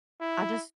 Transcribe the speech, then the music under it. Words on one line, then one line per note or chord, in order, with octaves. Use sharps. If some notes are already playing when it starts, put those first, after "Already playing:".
I just
E4